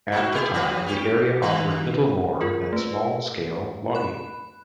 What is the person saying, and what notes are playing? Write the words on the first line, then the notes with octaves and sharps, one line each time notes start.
At the time, the area offered little more than small-scale logging.
D#4 F#4
E4 G4 G#4
F3 G3 B4
C#4 G4
D#3 B4
F4 G#4 A#4
A3 B4
B5 F#6